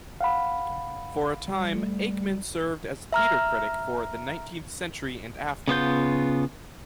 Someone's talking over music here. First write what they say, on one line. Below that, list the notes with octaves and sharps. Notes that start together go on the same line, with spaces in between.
For a time, Aickman served as theatre critic for "The Nineteenth Century and After".
F5 F#5 B5
F1
G3
A3
E5 A#5 F6
C#3 B3 F4 G6